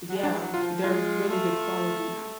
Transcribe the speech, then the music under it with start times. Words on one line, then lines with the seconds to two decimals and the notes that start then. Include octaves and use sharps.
Yeah, they're really good quality now.
0.09 F#3
0.16 G#3
0.23 D4
0.31 G#3
0.39 F#3
0.54 F4
0.62 F3
0.84 G#3 F4
1.28 A3